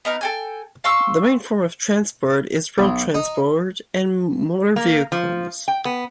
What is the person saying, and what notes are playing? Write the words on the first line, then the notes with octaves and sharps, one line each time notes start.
The main form of transport is road transport and motor vehicles.
B3 D#4 A#4
A4 G5 G#5
F5 C6 C#6 E6
B1
D#4
A#3
F3
G5
B3